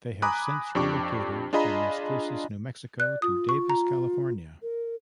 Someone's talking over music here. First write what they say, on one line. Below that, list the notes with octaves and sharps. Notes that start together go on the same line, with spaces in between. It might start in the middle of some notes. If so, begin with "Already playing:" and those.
They have since relocated from Las Cruces, New Mexico to Davis, California.
G#5 A#5 B5 D6 D#6 F#6
F2 D4 G4 C#6 D6
D4 F4 G#4 D#5 A#5 B5
D5 F#6
F4 D#6
C#6
A#5
A#4